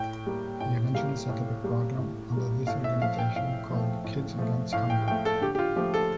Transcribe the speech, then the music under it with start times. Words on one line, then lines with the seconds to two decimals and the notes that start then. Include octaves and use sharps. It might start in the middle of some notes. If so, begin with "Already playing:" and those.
He eventually set up a program under this organization called "Kids Against Hunger".
Already playing: A2 G5
0.27 G3 A#3
0.60 A2 G5
0.95 G3 A#3 F5
1.29 A2
1.64 G3 A#3
1.98 A2
2.32 G3 A#3
2.67 A2 F5
2.84 E5
3.02 F3 A3 F5
3.18 G5
3.36 A2 F5
3.70 F3 A3
4.04 A2
4.39 F3 A3
4.73 A2 F5
4.90 G5
5.08 F3 A3 G5
5.25 A4
5.42 D3 G4
5.55 G4
5.59 F4
5.76 F3 A3 G4
5.94 A4